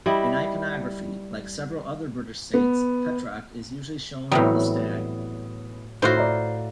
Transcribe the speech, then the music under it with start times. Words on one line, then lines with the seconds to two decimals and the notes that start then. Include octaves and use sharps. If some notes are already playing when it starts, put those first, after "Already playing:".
In iconography, like several other British saints, Petroc is usually shown with a stag.
0.06 G3 E4 D#5
2.54 B3
4.32 A2 C3 E3 F#3 G3 B3 D#6
6.02 A2 D#4 F4 F#4 C5
6.17 D5 E5 A#5